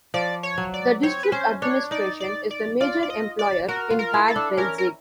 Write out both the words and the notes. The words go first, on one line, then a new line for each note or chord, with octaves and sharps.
The district administration is the major employer in Bad Belzig.
F3 D5
C#5
F#3
D5
C4 C#5
B4
C#4 C5
D4 C#5
D#4 D5
D5
D5
F4 D5
D5
D#5
D5
F#4 A#4
F4
A#4
E4
A4
D4
C#4 A#4
A#4